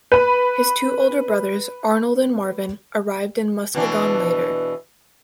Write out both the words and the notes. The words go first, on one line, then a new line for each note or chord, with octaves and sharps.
His two older brothers, Arnold and Marvin, arrived in Muskegon later.
B4 B5
B2 E3 D4